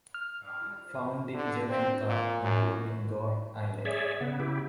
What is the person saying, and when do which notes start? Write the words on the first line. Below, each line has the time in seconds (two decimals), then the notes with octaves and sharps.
Found in Jamaica, including Goat Island.
0.14 F6
1.34 D3
1.69 C4
2.07 A#2
2.43 F#2
3.85 G#4 C#5 D5 E5
4.21 C#3 B3
4.40 C#3 E4 G4